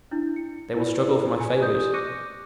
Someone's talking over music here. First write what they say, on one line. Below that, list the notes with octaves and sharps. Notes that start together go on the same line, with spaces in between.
They will struggle for my favors.
D4 E4
C#7
E4 B4 D5
G#5
G4 D5 D#6 G6
C#6 D6 F#6 A#6 C#7 D#7